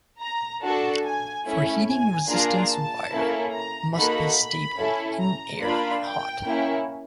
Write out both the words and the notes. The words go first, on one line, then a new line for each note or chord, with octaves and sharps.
For heating, resistance wire must be stable in air when hot.
A#5
D4 F#4 A4 A5
G#5
A3 C#4 E4
G#5
A#3 D4 F4 G#4 A#5
A5
A#3 C#4 E4 A4
A#5
A#3 D#4 F#4 A4 B5
B5
C#4 E4 A4
A#5
A#3 D4 F4 B5
G5
A#3 C#4 E4